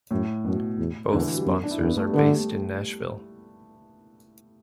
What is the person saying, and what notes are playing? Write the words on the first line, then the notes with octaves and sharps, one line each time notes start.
Both sponsors are based in Nashville.
F#2 A2
F#2 B2
E2
E2 D3
E3
F#3
G3
F#2 B3
D4
E4
E2 D4
B3
A3
G3
D3 B3
A3
G3
A3